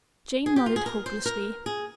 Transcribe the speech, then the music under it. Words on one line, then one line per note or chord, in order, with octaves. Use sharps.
Jane nodded hopelessly.
G#4
G4
F4
G#4
A#4
C5
A#4
G#4